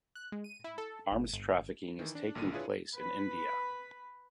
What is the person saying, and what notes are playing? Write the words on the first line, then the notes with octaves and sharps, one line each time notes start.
Arms trafficking is taking place in India.
F#6
G#3
D#7
E4
A4
G#1
G1
D#3 E3
D4
G#1 A#2 D3 D4 D#7
D4 E4 F4 G#4 B4 C#5
B4 B5